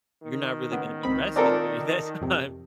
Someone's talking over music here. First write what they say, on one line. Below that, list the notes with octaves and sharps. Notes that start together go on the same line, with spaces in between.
you're not really gonna be resting during that time,
D#3
C#3 B3
C#2 C4 B5
C4 F4 A4 A#4 D5
F2 C3